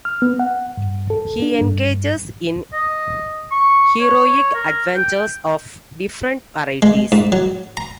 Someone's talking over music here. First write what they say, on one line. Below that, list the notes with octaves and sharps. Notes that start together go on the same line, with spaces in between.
He engages in heroic adventures of different varieties.
F6
B3
F#5
G2
A4
D4
G2
D#5
C#6
C#5
A#4
G5
G#3
G#2
F#3
A#5